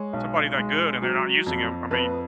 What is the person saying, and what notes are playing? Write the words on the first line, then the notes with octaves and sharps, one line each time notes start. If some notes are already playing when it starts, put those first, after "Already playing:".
somebody that good, and they're not using him, I mean
Already playing: G#3 C#5
B1
G#3
F#3
F2
F2 B4